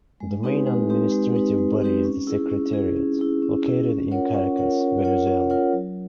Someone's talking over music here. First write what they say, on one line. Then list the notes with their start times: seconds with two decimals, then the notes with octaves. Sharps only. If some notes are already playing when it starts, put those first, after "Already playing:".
The main administrative body is the secretariat, located in Caracas, Venezuela.
0.20 G#3
0.43 C4 D#4 G4 B4
0.67 G#3
0.89 C4 D#4 G4 B4
1.12 G#3
1.35 C4 D#4 G4 B4
1.58 G#3
1.81 C4 D#4 G4 B4
2.04 C#4
2.27 E4 G#4
2.50 C#4
2.73 E4 G#4
2.96 C#4
3.19 E4 G#4
3.42 C#4
3.66 E4 G#4
3.89 C#4
4.11 F4 A#4 C#5 F#5
4.35 C#4
4.57 F4 A#4 C#5 F#5
4.81 C#4
5.04 F4 A#4 C#5 F#5
5.27 C#4
5.50 F4 A#4 C#5 F#5
5.73 F#3